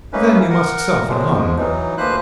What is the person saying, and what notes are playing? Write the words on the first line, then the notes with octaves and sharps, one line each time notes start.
"Then you must suffer hunger."
A3 A#3 C#4 D#4 B4
A#4 F#5
A#2 F3 F#3 G#3
G#2 F3 G#3
E3 F#3 D#4
D2 F3 A#3 B4 C5 F#6